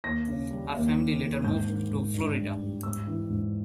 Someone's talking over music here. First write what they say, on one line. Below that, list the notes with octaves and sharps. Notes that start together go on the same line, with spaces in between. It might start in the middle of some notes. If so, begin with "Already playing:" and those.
Her family later moved to Florida.
D#2 A#6
C#3
G3
D#2
D#3
D#2
G#2 G6
D#3
G#2
G2
G3
G3
G#2 E6
E3
G#2